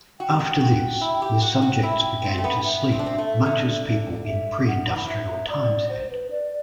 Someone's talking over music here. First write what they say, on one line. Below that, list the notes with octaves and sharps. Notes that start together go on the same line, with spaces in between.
After this the subjects began to sleep much as people in pre-industrial times had.
F#4 G5
G4
F#4
F#4 G5
E4
G4
F#4
F#4
E4
C4
A3
B3
B3 E5
C4
D4
C4
A3
D3
E5
F#5
E3
F#3 E5
D5
C5
B4
D5